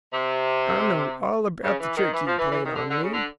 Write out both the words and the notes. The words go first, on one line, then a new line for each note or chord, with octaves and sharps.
I know all about the trick you played on me.
C3
C#3
E3
D#3
E3
F3
E3
E3
D#3
D3
D3
C#3
D3